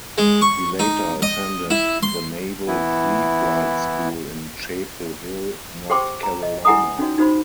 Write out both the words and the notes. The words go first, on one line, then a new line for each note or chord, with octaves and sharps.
He later attended the naval pre-flight school in Chapel Hill, North Carolina.
G#3
C#6
D#4
D#5
E4
C6
E3 B3 E4
G4 G#4 C5 G5 C6 D6
A#5
D#5
E4 G#4 F#5 G#5 A#5 D#6
C#4 D#4 F#4 C#5
D#4 F#4 C5 B5